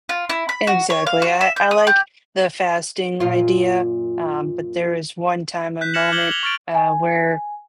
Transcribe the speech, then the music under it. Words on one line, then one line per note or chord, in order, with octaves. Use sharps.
Exactly, I I like the fasting idea, um, but there is one time, a moment, uh, where
F4
E4
B5
F#4
C#5
F5
F#4
E5
G6
D#6
G4
F#2 A#2 F4
F#6 G6 B6
F6 G#6 A#6 C#7 E7 F#7
D6 G6 G#6 F#7 G7
F7 G7
C#6 F6 A6 D7
G#5